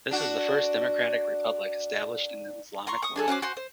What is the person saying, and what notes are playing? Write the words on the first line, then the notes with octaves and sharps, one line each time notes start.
This was the first Democratic Republic established in Islamic World.
D4 F#4
A#5 C6 C#6
C#6 D#6
D4 G#4 A4
C#4 F#4 C5 D6
F#4 C5 G#5 C6
C5